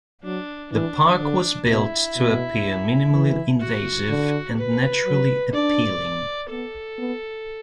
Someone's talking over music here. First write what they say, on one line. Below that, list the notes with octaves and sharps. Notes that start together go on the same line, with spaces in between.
The park was built to appear minimally invasive and naturally appealing.
F#3 D4
E3 D4
D3
B2 E4
B2
E3
F#4
D3
B4
F#3
D4 D5
B3 A4
B3